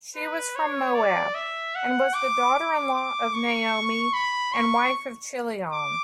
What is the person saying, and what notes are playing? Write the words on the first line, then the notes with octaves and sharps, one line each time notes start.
She was from Moab and was the daughter-in-law of Naomi and wife of Chilion.
B4
C#5
D5
E5
F#5
D6
D6
D6
C#6
B5
C#6
D6